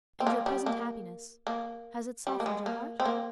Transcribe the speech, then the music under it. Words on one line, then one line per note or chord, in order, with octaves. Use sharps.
"And your present happiness, has it softened your heart?"
C4
A#3
G3
A#3
A#3
G3
A#3
G#3
A#3
C4
A#3